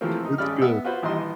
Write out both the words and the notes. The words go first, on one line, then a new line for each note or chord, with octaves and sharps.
it's good.
C3 E3 F3 A3 A#3 C4
D#4
G#1 C#3 D5 B5 F6
B3 E5 E6
F4 F#4 B4 C5
A#1 D#3 E3 G3 D#5 C6